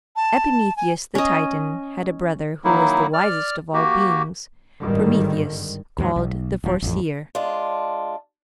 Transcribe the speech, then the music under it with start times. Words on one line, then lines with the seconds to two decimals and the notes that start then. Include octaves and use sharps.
Epimetheus the Titan had a brother who was the wisest of all Beings--Prometheus called the Foreseer.
0.16 A5
0.77 G#5
1.15 C#4 D#5
2.64 D#3 F#3 A#3 D#4 E4
3.13 D5 F6
3.74 A#3 F#4 G4
4.81 G#1 G2 D3 D#3 G3
5.98 D#2 G#2 F#3
6.16 B1
6.64 D1 F3
6.82 A1 F2
7.35 G#3 D4 F4